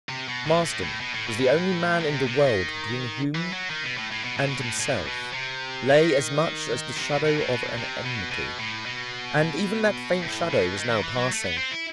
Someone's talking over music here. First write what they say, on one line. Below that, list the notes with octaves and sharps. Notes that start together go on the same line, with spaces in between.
Marsden was the only man in the world between whom and himself lay as much as the shadow of an enmity; and even that faint shadow was now passing.
C3
B2
A2
A2
A2
B2
A2
B2
A2
D#3
C3
C3
D#3
E3
F#3
D#3
B2
A2
A2
B2
A2
B2
A2
A2
B2
C3
D#3
C3
B2
B2
A2
B2
C3
B2
B2
A2
B2
A2
B2
D#3
D#3
E3
F#3
A3
B3
C4
E4